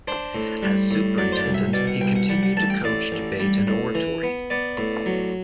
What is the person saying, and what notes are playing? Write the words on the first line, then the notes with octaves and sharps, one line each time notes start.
As superintendent, he continued to coach debate and oratory.
D4 C5
A2
G3
A2
F#3 D5
C5
D5
C2
E5
B2 D5
F#5
C2 G5
F#5
G3 F#5
F#5
A1 A5
G5
A2 D5
A1
G3
A2
E3
B3
B3 D5
A2
F#3